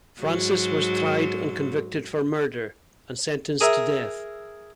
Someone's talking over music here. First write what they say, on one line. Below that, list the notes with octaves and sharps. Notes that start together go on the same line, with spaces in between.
Francis was tried and convicted for murder, and sentenced to death.
G#2 F#3
G#4 A#4 E5